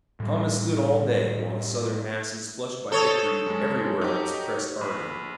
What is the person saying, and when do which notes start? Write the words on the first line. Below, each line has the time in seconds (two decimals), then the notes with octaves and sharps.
Thomas stood all day, while the Southern masses, flushed by victory everywhere else, pressed harder.
0.20 A2 G3
2.92 A4 C5 C#5 D#6
3.46 F#2 G#3
4.01 D#4 F#4 G4
4.81 A#1 B5